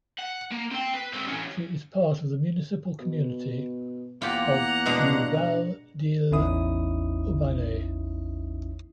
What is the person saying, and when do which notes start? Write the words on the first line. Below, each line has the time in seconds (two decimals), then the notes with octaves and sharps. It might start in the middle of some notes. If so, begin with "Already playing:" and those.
She is part of the municipal community of du Val d’Ille-Aubigné.
0.19 F#5
0.51 A#3
0.71 C4 G5
0.94 B4
1.13 G#3 C4
1.28 E3 C#4
3.00 B2
4.22 E2 A#3 F4 G4 F#5 A#5
4.86 B2 G#3 D4
6.31 A1 E2 C#4 D#4 E4 D#6